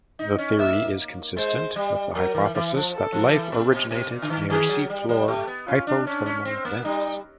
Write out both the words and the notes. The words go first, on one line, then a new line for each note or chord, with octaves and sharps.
The theory is consistent with the hypothesis that life originated near seafloor hydrothermal vents.
D#4
C#4
A#3 E5
G#3 C5
G3
F#3 A#4
E3
E3
F3
A4
F3
E3
C3
B2
B2
A#2
D3
D#3
D#3 G#4
F#3
G3
G3
A3 G4
B3
C#4 F4
D4
C#4 D4
C#4
C4
A#3
G3 D#4